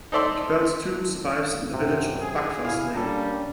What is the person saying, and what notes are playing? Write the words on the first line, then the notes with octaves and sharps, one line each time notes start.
Cabell's tomb survives in the village of Buckfastleigh.
D#4 A4 C5 D5 E5 C6
F#2 C3
G#4
C3 E4 F5 G#5
G3 A#3 C#4 D4 A4 A5 A#5